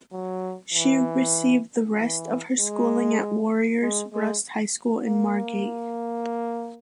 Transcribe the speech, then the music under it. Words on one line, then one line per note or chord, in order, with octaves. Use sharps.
She received the rest of her schooling at Warriors Rust high school in Margate.
F#3
E3
E3
G#3
G#3
G#3
A#3